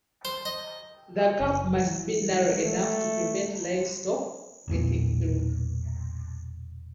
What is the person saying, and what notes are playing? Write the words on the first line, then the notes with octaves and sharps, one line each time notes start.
The gap must be narrow enough to prevent livestock getting through.
C5
D#5
F#1
E3
G#3 A3
E1 B1 A#2